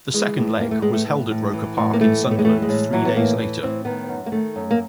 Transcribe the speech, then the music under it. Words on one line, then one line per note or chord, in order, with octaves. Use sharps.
The second leg was held at Roker Park in Sunderland three days later.
E3 G#3
A2
E3 A#3
A3
A2 G#3
A3
E3
A2
E3
A2
A#3
E3 A3
A2
A3
G#3
E3 A3
G#3
A2
E3 F#3
B3
A2 A#3
E3
A2 C4
D#3 B3
F#2
A#3
D#3 A3
F#2
A#3